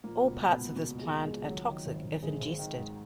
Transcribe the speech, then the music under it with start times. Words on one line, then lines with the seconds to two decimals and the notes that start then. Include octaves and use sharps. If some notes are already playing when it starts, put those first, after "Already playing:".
All parts of this plant are toxic if ingested.
0.04 A#2 F3 A#3
0.22 C#2
0.28 B2 B3
0.40 F3
0.52 B2 B3
0.58 C#2
0.76 C#2 B2 B3
0.95 C#2
1.01 G#3
1.13 C#2
1.25 G#3
1.31 F3
1.49 D#3 F#3
1.67 D#3
1.86 G#1
2.04 G#1
2.22 G#1 G#3
2.40 G#1
2.59 D#3
2.77 G#2